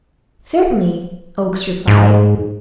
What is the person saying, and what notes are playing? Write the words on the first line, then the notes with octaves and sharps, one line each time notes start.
"Certainly," Oakes replied.
G#2